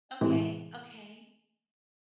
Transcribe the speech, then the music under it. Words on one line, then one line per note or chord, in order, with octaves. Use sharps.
Okay, okay.
A2 C3 E3 G#3